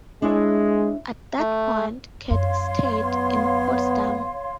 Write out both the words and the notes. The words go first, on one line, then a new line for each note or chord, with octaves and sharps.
At that point Katte stayed in Potsdam.
G#3 D4 E4 C#5
A3
F#2 C#5 F5 C6
B3